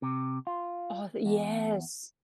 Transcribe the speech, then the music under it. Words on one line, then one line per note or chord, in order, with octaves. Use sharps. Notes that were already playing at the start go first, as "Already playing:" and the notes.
Oh yes.
C3
F4
E2